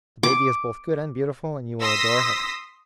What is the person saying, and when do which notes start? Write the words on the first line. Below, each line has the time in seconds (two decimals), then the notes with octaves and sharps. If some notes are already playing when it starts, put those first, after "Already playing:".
The baby is both good and beautiful, and you will adore her.
0.23 D6
1.82 C6 D#6 E6 A#6 B6